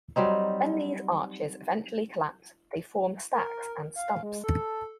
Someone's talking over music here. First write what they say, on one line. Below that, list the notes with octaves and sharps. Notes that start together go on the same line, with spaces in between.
When these arches eventually collapse, they form stacks and stumps.
F#3 G3 C4 D#4
A#4
F5
G#3
A4